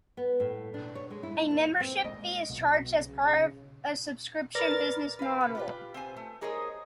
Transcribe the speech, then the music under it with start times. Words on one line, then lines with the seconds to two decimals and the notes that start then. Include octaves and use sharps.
A membership fee is charged as part of a subscription business model.
0.17 B3
0.40 A2
0.74 D4
0.95 C#5
1.10 G#3
1.23 E4
1.51 D#2
1.66 F4
1.80 C4
2.04 G#3 A#3 D#5
2.49 B1 B2
2.99 C#3
4.55 A#4 B4 D5 B5 A6 A#6
5.19 B4 F5
5.41 C#3 B4
5.55 F4 G4 B4
5.94 C4 C5 G#5
6.16 A3
6.41 D#4 G#4 A#4 C5 C#5 D#5